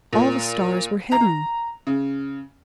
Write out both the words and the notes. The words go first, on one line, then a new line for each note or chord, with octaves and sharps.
All the stars were hidden.
A#2
A#5
C#3